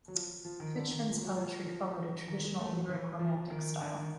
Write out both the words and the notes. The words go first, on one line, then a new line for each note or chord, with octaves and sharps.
Fichman's poetry followed a traditional lyric Romantic style.
F#3
F3
F3
D#3
D3
D#3
F3
F#3
F3
D#3
G#3
A3
F#3
E3
F3
F3
D#3
D3
D#3